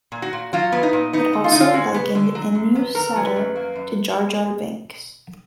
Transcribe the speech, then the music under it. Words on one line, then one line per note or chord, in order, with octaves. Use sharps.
It also likened Inoue Sato to Jar Jar Binks.
A#2
F#4
A#2
F#3 F4
B3
D#4
A#2
B3 D#4
D3
F4
D3 D#4
F4
G#3 F#4
B3
D3
F#3
F#2
B3
D3 A#4
F#3
B4
F#2
A#3
F#2